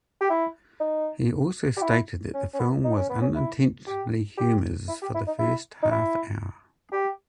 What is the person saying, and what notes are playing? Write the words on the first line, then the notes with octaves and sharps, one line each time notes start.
He also stated that the film was unintentionally humours for the first half hour.
G4
E4
D#4
G4
E4
C#4
C#4
B3
D#4
C#4
B3
C#4
E4
G4
G4
E4
G4
E4
D#4
E4
D#4
E4
G4